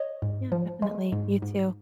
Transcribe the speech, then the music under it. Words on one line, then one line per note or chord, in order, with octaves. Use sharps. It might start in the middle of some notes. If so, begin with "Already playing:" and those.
Yeah, definitely, you too.
Already playing: C#5 D#5
G#2
F3
G#3
G#2
G#2